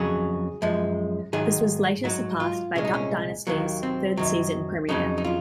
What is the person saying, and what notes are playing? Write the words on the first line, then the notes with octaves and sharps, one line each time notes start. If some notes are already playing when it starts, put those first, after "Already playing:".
This was later surpassed by "Duck Dynasty"'s third season premiere.
Already playing: F2 C#3 F#3 G#4
F#2 F3 G#3
G#2 D#3 F#3 G#4
G#2 F#3 F#4
F4
C2 A#2 G#3 C#4
D#4
C#4
D#2 D#3 F#3 A#3
C4
F#2 D#3 F#3
F2 C#3 F#3 D#4
D#4
F4